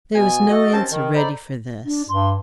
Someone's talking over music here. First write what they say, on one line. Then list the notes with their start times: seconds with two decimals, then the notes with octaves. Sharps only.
There was no answer ready for this.
0.15 B2 B3 G#5
0.49 F#4 A4 D#5
0.73 D#2 C4 C#4 C5 A5
0.90 D#3
1.14 D#4 A4 C5 D5 A#5 B5
1.86 D4
2.09 G2 C6